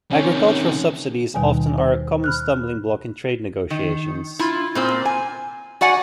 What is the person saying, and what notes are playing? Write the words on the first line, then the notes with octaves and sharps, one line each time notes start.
Agricultural subsidies often are a common stumbling block in trade negotiations.
C3 D#3 C#4
D#2 B2 D#3 G3 G#5
C5
B5 F6 F#6
D#3
E4 F4
A#2 C4 C5
G#5
F#4 D5 F#5 G#5